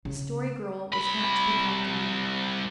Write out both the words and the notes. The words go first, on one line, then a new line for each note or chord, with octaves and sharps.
The Story Girl was not to be comforted.
C#3
C2 B5